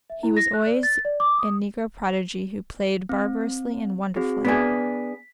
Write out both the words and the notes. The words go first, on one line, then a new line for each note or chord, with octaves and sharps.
He was always a negro prodigy who played barbarously and wonderfully.
E5
E4
A#6
F#6
D5
A6
D5
D6
D#6
C4
C4 F#4 G#4
B3 D4 G#4 B6